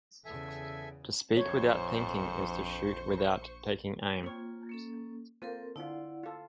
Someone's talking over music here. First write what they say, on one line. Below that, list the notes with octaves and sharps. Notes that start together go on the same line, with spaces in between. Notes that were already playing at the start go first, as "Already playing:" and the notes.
To speak without thinking is to shoot without taking aim.
E2 C#3 A4 E5 G#5
A#1 F2 C5 C#5 C#6
A#3 C4 F4 C#5
A#3 C#4 A4
A#3 C4 F4 A4 A#4 C5
D3 C4 E4 F4 D5 F#5
F4 A4